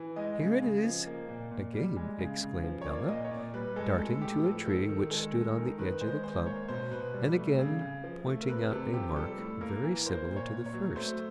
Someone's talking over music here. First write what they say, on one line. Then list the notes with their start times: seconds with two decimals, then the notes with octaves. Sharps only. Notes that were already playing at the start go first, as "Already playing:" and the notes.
"Here it is," again exclaimed Ella, darting to a tree which stood on the edge of the clump, and again pointing out a mark very similar to the first.
Already playing: E3
0.16 G#3 D#5
0.39 C#3
0.62 C#3
0.84 F3
1.06 A#3
1.29 A#2
1.51 A#2
1.74 G3
1.96 G#3
2.19 C#3
2.41 C#3
2.64 F3
2.82 C#5
2.86 A#3 D5
3.09 A#2 D#5
3.25 C#5
3.31 A#2 D5
3.54 G3 B4
3.76 G#3 A4
3.98 A2 A4
4.21 A2 G4
4.44 F3 A4
4.66 D#3 A4
4.89 D#3
5.11 G#3 A4
5.33 G#3
5.57 D#3 A#4
5.78 D#3 B4
6.01 G#3 C5
6.23 G#3 C5
6.46 A#3 C#5
6.68 B2 C5
6.91 B2 B4
7.14 G3
7.36 A3
7.59 C#3
7.81 C#3
8.04 F3
8.26 A3
8.42 A#4
8.49 C3 B4
8.71 C3 A4
8.93 F3 G4
9.16 G3 A4
9.38 A2
9.61 A#3 A#4
9.84 E3
10.06 A#3 C5
10.29 A#2
10.36 C#5
10.51 A#2
10.66 C#5
10.74 F#3
10.96 A3 C5